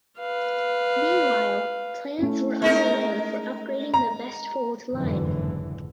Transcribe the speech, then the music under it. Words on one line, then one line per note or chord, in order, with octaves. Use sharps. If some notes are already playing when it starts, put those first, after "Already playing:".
Meanwhile plans were under way for upgrading the Vestfold Line.
B4 F5
A3 C#4 E4
G#3 D#4 A#4
A#5
F#1 F2 G#2 B2 D3 E3